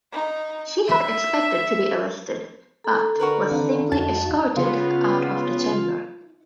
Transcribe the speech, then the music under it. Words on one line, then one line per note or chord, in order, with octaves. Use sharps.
She had expected to be arrested but was simply escorted out of the chamber.
D#4
E5
A4 A#5
D3 F#4 A#4 B4
D#3 C4 D4 F5
F2 D#4 F#4 A5
C#3 B3 F4